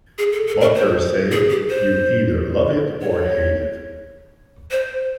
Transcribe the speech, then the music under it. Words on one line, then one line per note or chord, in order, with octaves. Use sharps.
Butters said, You either love it or hate it.
G#4
A4
A4
A#4
C5
G#4
G4
C5
C#5
C5